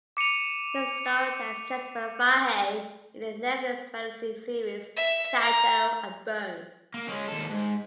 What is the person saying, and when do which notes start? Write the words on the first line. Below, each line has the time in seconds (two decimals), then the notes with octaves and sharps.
He stars as Jesper Fahey in the Netflix fantasy series "Shadow and Bone".
0.17 D6 C#7 D#7 F7
4.96 E5
5.40 A#5
6.94 A#3
7.09 G#3 C#4
7.28 D#2 A4
7.50 G#2